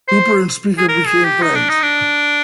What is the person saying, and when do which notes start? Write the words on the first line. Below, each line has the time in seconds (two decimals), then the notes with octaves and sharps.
Hooper and Speaker became friends.
0.08 C5
0.78 G#4
0.89 A#4
1.07 G#4
1.25 G4
1.42 D#4
1.55 D4
1.70 D#4
1.83 D4